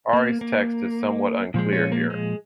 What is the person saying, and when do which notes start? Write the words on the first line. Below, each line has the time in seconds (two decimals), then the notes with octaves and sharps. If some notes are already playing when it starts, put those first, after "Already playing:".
Ari's text is somewhat unclear here.
0.13 A#3
0.41 A#3
1.54 A#2 F3 G#3
1.73 C#4
1.92 A#3
2.10 G#3